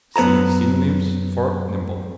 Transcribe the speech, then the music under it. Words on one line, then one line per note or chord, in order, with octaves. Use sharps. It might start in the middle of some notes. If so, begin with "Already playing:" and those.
See synonyms for NIMBLE.
F#2 B3 D5 A5 A#5